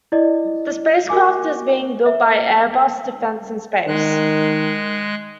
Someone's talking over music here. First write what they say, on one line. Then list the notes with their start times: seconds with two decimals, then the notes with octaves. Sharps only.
The spacecraft is being built by Airbus Defence and Space.
0.12 E4 D5 D#5
1.09 F#4 A#4 G#5 D6
2.06 E5
3.87 D#3 G#3 F#6